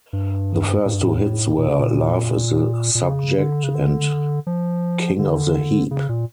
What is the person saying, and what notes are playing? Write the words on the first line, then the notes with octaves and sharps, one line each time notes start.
The first two hits were "Love is the Subject" and "King of the Heap".
G2
A2
G2
A2
A#2
C#3
A#2
A#2
C#3
D3
C#3
D3
F3
D3
C#3
A#2